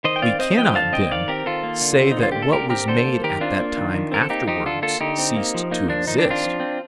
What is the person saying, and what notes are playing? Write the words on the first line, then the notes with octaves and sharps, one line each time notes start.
We cannot, then, say that what was made at that time afterwards ceased to exist.
D#3 C5 D#5
G5
C4 D5 F5
C4 C5 D#5
F3 D#5 G5
D3 F5 A5
C4 D#5 G5
D#3 D5 F5
C4 G4 A#4
D#3 F4 A4
A#3
D3
C4
D#4
D3
F4
A#3 G4
A4
D3 G4 A#4
C4 G4 A#4
D3 A4 C5
A#3
D#3 G4 A#4
C4 D4 F4
A#3
D#3
D#3
C4 A#4
A4
A#3 D#4 G4
F3 D#4 G4
D3 F4 A4
A#3 F4 A4
D3 D#4 G4
C4
A#3
F3
A#3 D#4
F3 D4
D#3 D#4
D4
C4
D4 F4
F3
C4